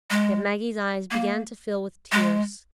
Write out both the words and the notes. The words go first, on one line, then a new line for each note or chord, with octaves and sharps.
Yet Maggie's eyes began to fill with tears.
G#3
A#3
G#3